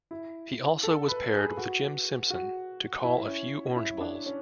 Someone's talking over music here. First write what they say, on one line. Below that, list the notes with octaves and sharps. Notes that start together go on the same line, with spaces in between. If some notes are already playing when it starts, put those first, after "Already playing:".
He also was paired with Jim Simpson to call a few Orange Bowls.
E4
A4
B4
G#4
F#4
F#4
E4
C#4
E4
D4
C#4